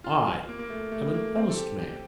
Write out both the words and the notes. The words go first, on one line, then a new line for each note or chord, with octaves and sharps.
I am an honest man.
F4
F4
A#3
A#3
A3
A3
A#3
C4
A4
G4
G4